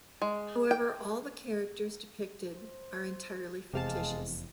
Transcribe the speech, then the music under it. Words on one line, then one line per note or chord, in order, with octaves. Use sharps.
However, all the characters depicted are entirely fictitious.
G#3
G5
C5
F1 E2 C3 G#3 F5 A5